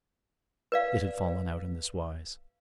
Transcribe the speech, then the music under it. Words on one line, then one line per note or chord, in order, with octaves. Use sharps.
It had fallen out in this wise.
B4 D5 F5